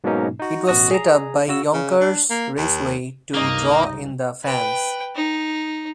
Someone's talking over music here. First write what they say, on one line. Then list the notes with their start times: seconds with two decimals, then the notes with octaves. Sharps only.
It was set up by Yonkers Raceway to draw in the fans.
0.04 G#2 B2 F#3 A#3 C#4 D#4
0.40 D#4 F#4
0.67 A1 B2 F#4 D#6
0.91 G#4 A#5
1.48 C#3 F#4 E6
1.73 C#3
2.01 D4
2.30 A#3
2.57 D#2
3.34 C#2 G2 C3 A#3 D#4 D#5
4.43 B4 G5
5.15 D#4